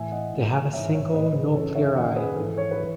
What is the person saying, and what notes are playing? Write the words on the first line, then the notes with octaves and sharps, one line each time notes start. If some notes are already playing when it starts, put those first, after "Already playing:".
They have a single naupliar eye.
Already playing: A2 E3 E5 G#5
D#5 F#5
A2 E3
G#2 E3 C#5 E5
C#5 E5
A2 E3 B4 D#5
G#4 B4
F#2 C#3 E3 A4 C#5
C#5 E5
F#2 D#3 D#5 F#5
G#4 B4
G#2 E3 A4
C#5
B4
E3